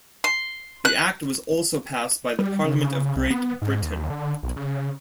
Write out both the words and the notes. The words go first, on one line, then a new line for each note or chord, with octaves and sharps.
The act was also passed by the Parliament of Great Britain.
C6
F#6
G3
C#3
C2
B3
G#2
D#2
D3
B1
C#3